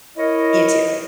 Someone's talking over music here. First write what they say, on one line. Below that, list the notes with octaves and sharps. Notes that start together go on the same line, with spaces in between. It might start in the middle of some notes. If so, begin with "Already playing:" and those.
You too.
E4 A#4 C#5 D#5